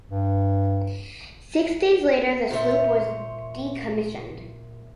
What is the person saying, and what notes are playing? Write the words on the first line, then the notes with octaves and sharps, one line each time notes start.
Six days later, the sloop was decommissioned.
G2
A#2 C5 C#5 E5